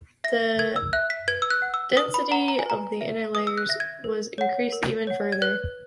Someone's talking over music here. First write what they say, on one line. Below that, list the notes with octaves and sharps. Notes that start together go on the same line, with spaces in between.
The density of the inner layers was increased even further.
E5 A#6
A#4 G#6
E6
E5 F#6
B6
B4 G#6
E6
F#6
F#5
E6
B4 D#6
B5
F#5 A#5
A#5
G#5
B4 A#5
E5
B4 D#6
E6
F#6
E5 A#6
G#6
A#4
C#5 F#5
A#4
C#5 F#5
G#6
B4 F#6